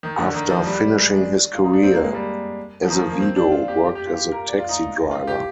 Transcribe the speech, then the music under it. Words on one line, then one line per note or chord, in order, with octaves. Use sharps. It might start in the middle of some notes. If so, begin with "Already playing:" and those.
After finishing his career, Azevedo worked as a taxi driver.
D#3
D3
D#3
F3
G3
G#3
D4
F4
D#4
D4
C4
A#3
G#3
G3
F3
D#3
F3
A#3
C4
D4
F4
G4
G4
G4
F4
G4
A#4
D5
F4
D#4
F4
G4